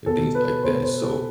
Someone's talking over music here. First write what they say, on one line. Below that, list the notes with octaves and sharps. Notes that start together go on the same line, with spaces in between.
and things like that. So,
B2 A4
B4
B2 C5
C5
A4